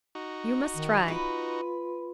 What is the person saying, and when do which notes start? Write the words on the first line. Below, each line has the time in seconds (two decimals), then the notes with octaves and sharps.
You must try.
0.15 D#4 F#4
0.74 D#3
1.08 F4 B4